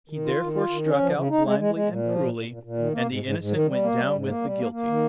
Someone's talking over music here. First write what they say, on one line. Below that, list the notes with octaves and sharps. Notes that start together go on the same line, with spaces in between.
He therefore struck out blindly and cruelly, and the innocent went down with the guilty.
D#3
F4
D#3
F4
D#3
C#4
F3
C#3
D#4
G#3
G#3
G#3
A#2
F3
A#2
A#2
A#2
A#2
D#3
A#3
G#2
G#2
G#2
D#3
G3
A#3
G3
G#2
A#3
G3
A#3
A#3
D#3